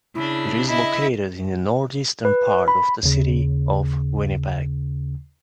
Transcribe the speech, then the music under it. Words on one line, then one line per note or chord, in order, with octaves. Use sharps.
It is located in the northeastern part of the city of Winnipeg.
C#3 D4 E4
E4 D#5 E5
B4
B5
D#2 C#3